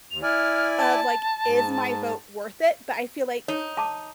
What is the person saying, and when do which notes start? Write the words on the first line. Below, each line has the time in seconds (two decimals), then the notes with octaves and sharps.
of, like, "Is my vote worth it?" But I feel like
0.11 D#2 F7
0.22 E4 D5 G#5 F6
0.78 A5
1.46 G#2
3.48 D#4 C#5
3.77 A5 D6